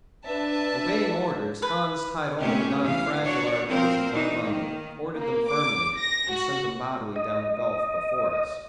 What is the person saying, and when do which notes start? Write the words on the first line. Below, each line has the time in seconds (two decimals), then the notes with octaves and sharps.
Obeying orders, Hans tied all the non-fragile articles in one bundle, corded them firmly, and sent them bodily down the gulf before us.
0.24 D4 B4 E5 A5
1.62 B4
2.39 C3 A3 B3 C#4 G4
2.83 E3 F5
3.24 D4 F#4 C#5 D5
3.67 F3 C4 A#4 C5
4.12 E3 D4 D#4
4.41 D#3 A#3
5.17 A#3
5.49 D6
5.96 A#6
6.32 F#4
7.16 D#5